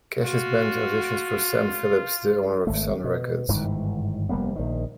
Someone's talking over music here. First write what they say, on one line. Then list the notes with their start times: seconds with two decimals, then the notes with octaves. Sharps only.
Cash's band auditions for Sam Phillips, the owner of Sun Records.
0.22 F4 F#4
2.67 G#1 A3
3.04 B2
3.48 G1 G#2 D#3 E3
4.29 F1 G3 A#3 B3
4.56 A#1 D#3